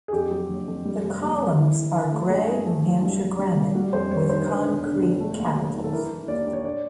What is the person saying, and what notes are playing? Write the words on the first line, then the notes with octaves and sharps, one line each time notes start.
The columns are gray New Hampshire granite with concrete capitals.
G#4
F2 G4
F#3
F#1
F2
G3
F1
D#2
D#2
E3
E3
E3
A3
G2 G#4
E3
A3
E3
C2
G3
C2
G3
G3 F#4
F2 C5
G3 C#5
D#3 C5
D3 B4
E1
D3
E1
A3
D#2
F#3
D#3
A4
E3 A#4
E3
D#2 D5
D#2
C#5
D5